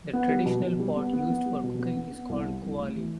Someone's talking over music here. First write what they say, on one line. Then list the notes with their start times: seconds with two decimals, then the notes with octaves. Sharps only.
The traditional pot used for cooking is called "kuali".
0.13 B3
0.29 G3
0.46 B2
0.62 B2
0.80 G3
0.96 B3
1.13 B3
1.30 B3
1.46 G3
1.64 B2
1.79 B3
1.97 B3
2.12 B3
2.29 C2
2.46 G3
2.63 C2
2.79 A3
2.96 E3